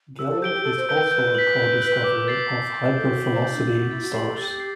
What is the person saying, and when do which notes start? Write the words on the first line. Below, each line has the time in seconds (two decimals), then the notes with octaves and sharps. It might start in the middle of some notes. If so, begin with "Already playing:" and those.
Geller is also a co-discoverer of hypervelocity stars.
0.19 G4 E6
0.30 A4
0.41 G4 G6 D7 G7
0.53 G4
0.64 A4 E6
0.77 C5
0.88 B4 G6 D7 G7
1.00 B4
1.11 B4 G6
1.35 B6 F#7
1.58 G6
1.82 B6 F#7
2.04 D6
2.28 A6 C7 F#7
2.52 D6
2.74 A6 C7 F#7
2.98 A4 G6
3.10 F#4
3.21 C7 F#7
3.33 C5
3.44 C5 G6
3.50 E4
3.55 D4
3.67 E4 C7 F#7
3.79 F#4
3.91 E4 A6
4.02 F#4
4.14 G4 C7 F#7
4.26 A4
4.37 G4 A6
4.60 C7